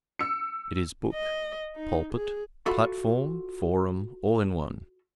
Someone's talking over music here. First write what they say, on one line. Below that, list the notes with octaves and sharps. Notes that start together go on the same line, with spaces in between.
It is book, pulpit, platform, forum, all in one.
E6 C#7
D#5
D#4
G#4
F4 F#4 A4 E5 B5